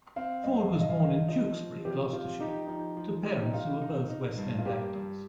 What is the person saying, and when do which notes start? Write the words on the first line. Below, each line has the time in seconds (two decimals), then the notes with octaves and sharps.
Ford was born in Tewkesbury, Gloucestershire to parents who were both West End actors.
0.16 C4 F5
0.44 G2 D#5
0.72 G2 F5
0.81 D#5
0.89 F5
1.00 D#4 D#5
1.28 F3 D#5
1.56 F3
1.85 C4 G4
2.13 F3 F4
2.40 D#4 G4
2.67 F3 D#4
2.97 F3
3.25 G4
3.43 D#4
3.53 D#4 F4
3.81 D#4
4.09 D#4
4.38 G2
4.58 F4
4.65 A#3 G4
4.93 G2